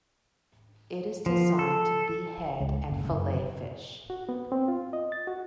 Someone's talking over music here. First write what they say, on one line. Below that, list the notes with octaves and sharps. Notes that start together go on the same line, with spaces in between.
It is designed to behead and fillet fish.
F3
A4
C#2
F#1
F#1
F#4
B3
C4
F4
D#5
A6
F#4